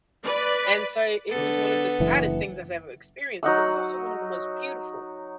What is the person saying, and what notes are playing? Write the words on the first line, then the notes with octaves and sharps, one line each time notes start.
And so it was one of the saddest things I've ever experienced, but it was also one of the most beautiful,
B4 D5
D3 B3 A4
F#1 E3
F#3 D#4 F#5 E6